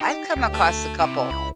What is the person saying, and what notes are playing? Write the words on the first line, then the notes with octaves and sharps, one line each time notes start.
I've come across a couple,
D#4 G4
D2
A3
C3 E4
C#2 B5